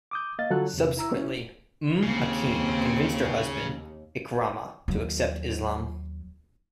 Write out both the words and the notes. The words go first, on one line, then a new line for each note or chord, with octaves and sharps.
Subsequently, Umm Hakim convinced her husband Ikramah to accept Islam.
D6 D#6 G6
A#3 D#5 F5 A6
D3 F#3 F4 A4 C#5 F#6
E2 C3
E4 A#5 E6
C#4 E4
D#2 C#3 A#3 C4
D#2 F#3